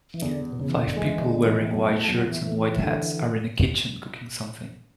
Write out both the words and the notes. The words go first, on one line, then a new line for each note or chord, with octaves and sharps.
Five people wearing white shirts and white hats are in a kitchen cooking something.
E3
E2 D3
B2
E2 C#3
E3
D3
E3 G#3
D3
B2
E3
E3
E2 F#3
A3
E2 F#3
E3
A3
D3